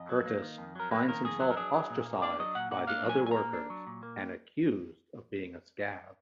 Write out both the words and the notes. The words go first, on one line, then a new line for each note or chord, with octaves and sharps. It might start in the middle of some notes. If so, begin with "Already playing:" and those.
Curtis finds himself ostracised by the other workers and accused of being a scab.
Already playing: F2 D#5
F#3
A#3
D#3
F2
F#3 A#4
A#3 B4
D#3 A#4
F2 G#4
F#3
A#4
D4 G#4
F#3
A#2
A#3
D4 D5
F#3 D#5
A#2 F#5
A#3 F#5
D4 F5
F#3 G#5
A#2
G#5
A#5
A#3
D4
F#3
A#2
A#3